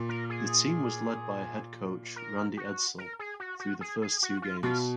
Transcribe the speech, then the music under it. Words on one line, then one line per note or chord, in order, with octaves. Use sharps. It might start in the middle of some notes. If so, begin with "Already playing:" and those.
The team was led by head coach Randy Edsall through the first two games.
Already playing: A#2
A#4
G#4
A#4
F#4
A#4
G#4
F#4
F#4
G#4
G#4
F#4
F4
B2 F4